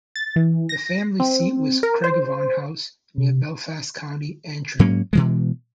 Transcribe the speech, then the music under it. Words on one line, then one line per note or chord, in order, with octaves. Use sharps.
The family seat was Craigavon House, near Belfast, County Antrim.
A6
E3
A#6
C4
A#4
C5
C3
G#2 F#3 A#3 C#4
B2 E3 G#3